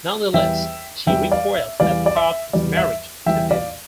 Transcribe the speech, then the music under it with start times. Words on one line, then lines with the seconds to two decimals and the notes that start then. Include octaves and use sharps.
Nonetheless, she recoils at the thought of marriage to him.
0.34 E2 E3 G3 E5 G5
1.07 E2 E3 G3 E5 G5
1.32 D5 F5
1.55 E5
1.80 E2 E3 G3 D5 F5
2.06 D5
2.16 E5
2.53 E2 E3 G3 D5
2.77 E5
3.26 E2 E3 G3 E5 G5
3.50 D5 F5